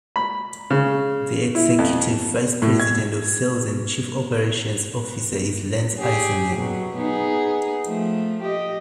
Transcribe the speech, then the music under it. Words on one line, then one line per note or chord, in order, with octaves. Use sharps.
The Executive Vice President of Sales and Chief Operations Officer is Lance Iserman.
B5
C#3
E4
F2
A2
G#6
G4 G#4
B2 F#3
B3 D#4 G#4
F3 A3
G4 D#5